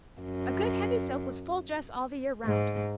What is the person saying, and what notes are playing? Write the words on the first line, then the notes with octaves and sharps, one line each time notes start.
A good heavy silk was full dress all the year 'round.
F#2
G#2